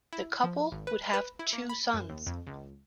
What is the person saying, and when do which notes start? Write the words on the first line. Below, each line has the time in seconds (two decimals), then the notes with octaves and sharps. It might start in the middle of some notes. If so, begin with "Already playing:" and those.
The couple would have two sons.
0.13 E4
0.44 F3
0.72 G#1
0.87 B4
1.13 B4
1.39 E4
1.53 A#3
1.69 B5
1.94 F#2
2.09 D#2
2.26 F2
2.47 C#2